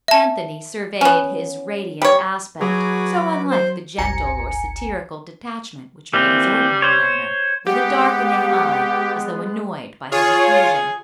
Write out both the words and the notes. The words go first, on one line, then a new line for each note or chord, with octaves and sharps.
Anthony surveyed his radiant aspect--so unlike the gentle or satirical detachment which made his ordinary manner--with a darkening eye, as though annoyed by his effusion.
E5 A5
B3 C#4
G3 C#5
F#3 F#4 G#4 B4 D6
C5
G1 C#2 G#5 A#5 C#7
E3 G3 A#3 C4
C5 C#5
G#3 B3 G4 F#5
F4 G#4 C#5